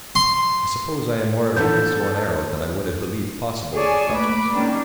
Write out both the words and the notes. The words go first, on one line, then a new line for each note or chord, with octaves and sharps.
"I suppose I am more of a Costaguanero than I would have believed possible," he thought to himself.
C6
A1 A#2 D3 F3 B3 E4 A4 G6
G#4 C#5 D5 G#5 A5
A3 A#3 B4 B5 D6
D#3 G#3 A#3 C#4 D4